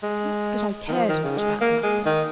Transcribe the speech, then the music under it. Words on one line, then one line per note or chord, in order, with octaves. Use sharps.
Not that I cared much about the matter.
G#3
D#3
F3
D#3
C#3
G#3
A#3
G#3
D#3